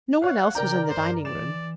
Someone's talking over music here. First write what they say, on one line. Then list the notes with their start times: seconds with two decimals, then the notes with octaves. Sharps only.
No one else was in the dining-room.
0.22 C#5 F5 F#5
0.55 C#3 A#4 D5 G5 A#5
0.90 G2 C5
1.25 E3 D5 E7